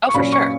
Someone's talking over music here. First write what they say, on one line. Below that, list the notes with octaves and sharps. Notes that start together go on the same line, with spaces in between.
Oh, for sure.
C#6
A#2 F#3 C#4 B5
C#6